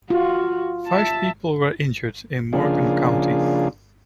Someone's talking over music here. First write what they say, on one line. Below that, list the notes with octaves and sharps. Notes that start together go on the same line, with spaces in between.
Five people were injured in Morgan County.
F4 F#4
E5 A5
C#3 F3 A#3 D4 F4 G#4